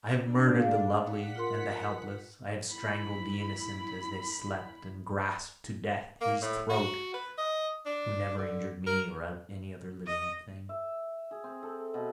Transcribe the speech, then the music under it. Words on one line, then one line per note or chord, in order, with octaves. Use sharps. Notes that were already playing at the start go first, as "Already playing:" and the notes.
I have murdered the lovely and the helpless; I have strangled the innocent as they slept and grasped to death his throat who never injured me or any other living thing.
D4
G#4 F5
F#5 B6
F4 A#4 C6
E4 B5
A#3
A2
F#4
B4
D#5
D4
D3
A#4
D#5
E5
G#4
C4
A4
B2